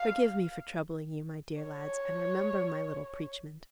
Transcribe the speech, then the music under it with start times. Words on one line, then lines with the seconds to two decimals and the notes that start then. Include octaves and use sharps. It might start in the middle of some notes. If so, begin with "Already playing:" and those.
Forgive me for troubling you, my dear lads, and remember my little preachment.
Already playing: F5
1.63 C#5